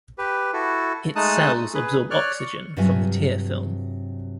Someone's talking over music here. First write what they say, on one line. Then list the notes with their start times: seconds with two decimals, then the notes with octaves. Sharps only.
Its cells absorb oxygen from the tear film.
0.18 G4 B4
0.54 E4 F#4 A4
1.16 G#3 A3 D#4 A5 D#6 F#6
1.75 G#4 B4
2.11 C#5 D5 F6 F#6
2.39 C#6
2.77 G2 C3 F#3 F4 E5 G#5